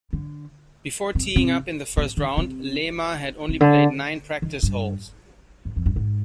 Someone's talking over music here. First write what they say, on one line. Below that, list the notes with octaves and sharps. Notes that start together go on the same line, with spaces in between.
Before teeing up in the first round, Lema had only played nine practice holes.
D3
C3
C3
B2
D3
C3
C3
D3
D#3
G2
G2
F2
G2
G#2